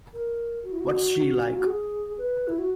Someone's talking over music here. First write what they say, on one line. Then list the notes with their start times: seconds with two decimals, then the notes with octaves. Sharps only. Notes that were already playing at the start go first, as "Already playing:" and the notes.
What's she like?
0.13 A#4
0.64 F#4
0.72 E4
0.80 F#4
1.55 F#4
1.67 G#4
2.18 B4
2.48 E4
2.58 F#4